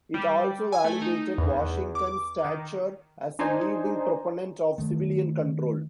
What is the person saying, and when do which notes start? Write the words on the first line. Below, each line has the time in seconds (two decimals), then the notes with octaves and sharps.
It also validated Washington's stature as a leading proponent of civilian control.
0.14 G3
0.72 G#5
0.84 A3
1.02 D#4
1.38 E2
1.95 D6
2.45 D#3
3.39 D4 D#4 C5 D5 G#5
4.78 D#3 A3